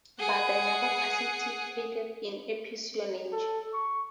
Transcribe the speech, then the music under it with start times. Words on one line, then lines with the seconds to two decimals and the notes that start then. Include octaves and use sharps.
But I never participated in espionage.
0.19 G#4 F#5
3.32 A4
3.73 C#6